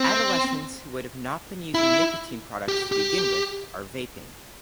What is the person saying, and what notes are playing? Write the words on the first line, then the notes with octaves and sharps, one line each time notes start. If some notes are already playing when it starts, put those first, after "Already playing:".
Adolescents who would have not been using nicotine products to begin with are vaping.
Already playing: C4
E4
G4
G4